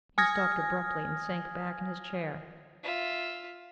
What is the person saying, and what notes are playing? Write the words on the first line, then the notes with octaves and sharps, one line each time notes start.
He stopped abruptly, and sank back in his chair.
G#5 D#6 F6 G#6 A#6
F4 E5